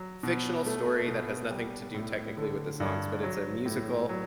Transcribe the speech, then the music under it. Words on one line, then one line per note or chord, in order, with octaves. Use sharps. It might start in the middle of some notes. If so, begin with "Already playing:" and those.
fictional story that has nothing to do technically with the songs, but it's a musical,
Already playing: F#3
B2
A3
B2
G3
A2
D3
G2
F#3
A2
F#3